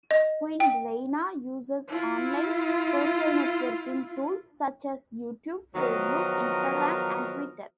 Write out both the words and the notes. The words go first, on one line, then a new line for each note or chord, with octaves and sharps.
Queen Rania uses online social-networking tools such as YouTube, Facebook, Instagram and Twitter.
D#5
G5
E4 F4
D#3 F3 F#3 B3 A#4 D#5